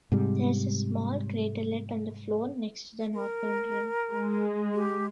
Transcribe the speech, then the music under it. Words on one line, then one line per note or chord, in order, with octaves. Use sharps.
There is a small craterlet on the floor next to the northern rim.
G#2 C3 G3
A#4
G#3
G4